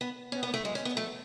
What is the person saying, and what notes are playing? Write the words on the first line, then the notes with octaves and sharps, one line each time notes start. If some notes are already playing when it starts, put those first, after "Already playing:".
No offence to you.
B3
C#4
B3
A3
G#3
C#4
B3
A3